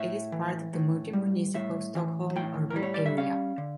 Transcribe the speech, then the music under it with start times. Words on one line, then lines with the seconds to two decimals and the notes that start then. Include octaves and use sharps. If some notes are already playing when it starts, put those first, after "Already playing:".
It is part of the multimunicipal Stockholm urban area.
Already playing: A2 E5
0.32 E3
0.74 A2
1.13 G3
1.54 A2 E5
1.95 E3
2.36 A2 G5
2.70 A#4
2.76 G3
2.83 C#5
2.94 D5
3.06 E5
3.17 C#4 F5
3.58 D3